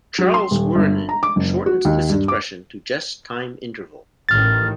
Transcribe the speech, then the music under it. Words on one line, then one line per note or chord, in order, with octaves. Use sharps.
Charles Wuorinen shortens this expression to just time interval.
F#3
C6
D#1
G1
A#5
D6
F#1
F#4
D#2
G2
D6
A1 D#3 F6 A6